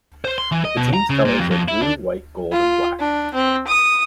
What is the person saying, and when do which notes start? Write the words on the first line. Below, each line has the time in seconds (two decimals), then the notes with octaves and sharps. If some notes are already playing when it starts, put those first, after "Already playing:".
The team's colors are blue, white, gold and black.
0.25 C5
0.38 C6
0.52 E3
0.65 D#5
0.77 B2
0.94 A#5
1.10 C#3
1.25 A#2
1.39 F2
1.51 F2
1.68 E4
1.82 D4
2.52 F4
3.00 D4
3.34 C4
3.67 D#6